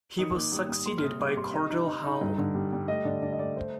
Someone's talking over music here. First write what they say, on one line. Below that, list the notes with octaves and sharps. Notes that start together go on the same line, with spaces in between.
He was succeeded by Cordell Hull.
D#3 D#6
A#3 D6
G3 D#6
G3 D#6
A#3 C6
F6
C3 D#6
G3 D6
C3 C6
D#4 D#5
D#4
D#4
D#4
G2
D3
G3
G3
A3 D#5
D3 D5
D3 D5
D#5
A3 D5
C5